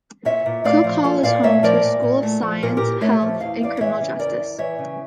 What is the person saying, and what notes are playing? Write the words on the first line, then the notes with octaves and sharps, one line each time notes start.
Cook Hall is home to the School of Science, Health and Criminal Justice.
A#2 C#5 E5
A#2
A3 D5 F5
F3
A#2 F4 A4
A#2 D5 F5
A3 C#5 E5
F3 A#4 D5
A#2
A#2
A3
F3
A#2 A#4
A4
A#2 G4 A#4
A3 C#5 E5
F3
E2 F5
E2 D5 F5
E3 C#5 E5
C#3
E2 A#4 D5
E2
E3 C#5 E5
C#3